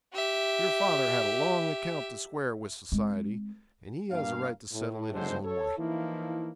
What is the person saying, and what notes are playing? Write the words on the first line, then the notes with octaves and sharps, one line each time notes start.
Your father had a long account to square with society, and he has a right to settle it his own way.
G4 E5
G#3 C4
G2 A#3 F5
A2
F#1 D3 F#3 G#3 C5
A4 C#5
E3 F3 A#3 D#4 E4